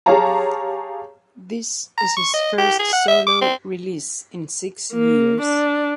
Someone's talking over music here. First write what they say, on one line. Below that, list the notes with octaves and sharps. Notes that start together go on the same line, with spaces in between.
This is his first solo release in six years.
G4 G#4 C#5 F5 A5 A#5
A#5
C#6
D#5
G4
G#4
F#5
E5
D6
C4
A#3
D4